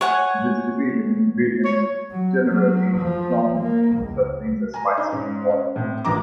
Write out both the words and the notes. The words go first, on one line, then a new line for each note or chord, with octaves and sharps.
In this division, "ingredients" generally does not include such things as spices and water.
C#5 F#5 G#5
C#5
F#3
F#3
F3
A#3
C#2
G#5 A#5
D#4
G#2 C#4
C#4
A2 C4
A1 D#2 E3 F3 A#5 D6